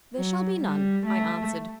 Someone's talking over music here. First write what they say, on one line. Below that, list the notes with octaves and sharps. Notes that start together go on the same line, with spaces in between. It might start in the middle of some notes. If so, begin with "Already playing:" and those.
'There shall be none,' I answered.
F#3
G3
A3